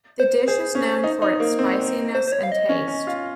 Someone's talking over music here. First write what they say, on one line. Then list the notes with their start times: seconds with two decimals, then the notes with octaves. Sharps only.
The dish is known for its spiciness and taste.
0.20 C5
0.48 G#4 C5
0.75 C#4
1.04 D#4
1.22 D#4
1.40 A#3
1.59 C4
2.15 C5
2.28 C5
2.32 C#5
2.43 F5
2.52 D#5
2.69 C#4
2.88 C#4
3.07 F4